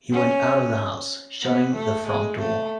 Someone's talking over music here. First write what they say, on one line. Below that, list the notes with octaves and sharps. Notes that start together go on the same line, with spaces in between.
He went out of the house, shutting the front door.
C#4
B3
A3
G#3
A3